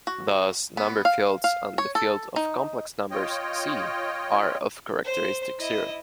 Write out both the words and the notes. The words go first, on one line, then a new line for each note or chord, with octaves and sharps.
Thus, number fields and the field of complex numbers C are of characteristic zero.
F#4
B3
F5
F5
C#5
A4
D#4
F4 C#5 D#5 G5
C5 C6
E4 D#5